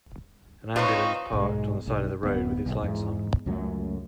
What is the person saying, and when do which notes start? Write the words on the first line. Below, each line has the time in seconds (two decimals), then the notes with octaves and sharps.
An ambulance parked on the side of a road with its lights on.
0.76 C4 D#4 F4 B4 C#5
1.33 B1 G#2 G#3
1.87 B1
2.23 D1 B3
2.66 B1
2.82 E2 G#2
3.46 C#2 F#2 F#3 A3